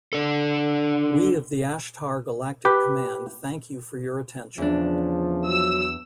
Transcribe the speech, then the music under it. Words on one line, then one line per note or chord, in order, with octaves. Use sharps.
We of the Ashtar Galactic Command thank you for your attention.
D4 A4
G4 B4
E2 C#3 F3 D4
F#3 E6